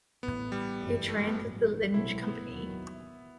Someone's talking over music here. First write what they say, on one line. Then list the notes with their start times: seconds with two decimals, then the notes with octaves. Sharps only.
He trained with the Linge Company.
0.23 A1 A2 E3 B3
0.52 G3
0.80 G1 F#2 E3 A3
1.08 A3
1.18 G3
1.27 B3
1.36 A1 G2 F#3
1.94 C2 B2 F#3 A3 C4 E4
2.22 B3
2.51 D#2 D#3 F#3